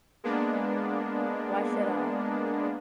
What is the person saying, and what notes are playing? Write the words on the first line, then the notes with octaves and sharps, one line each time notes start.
Why should I?
G#3 A#3 B3 D4